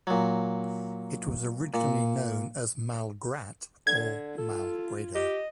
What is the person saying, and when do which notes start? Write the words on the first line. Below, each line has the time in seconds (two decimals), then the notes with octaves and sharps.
It was originally known as "Malgrat" or "Malgrado".
0.07 A#2 F#3
1.74 A#2
3.87 D3 G#6
4.38 F4 A4
5.15 G4 D#5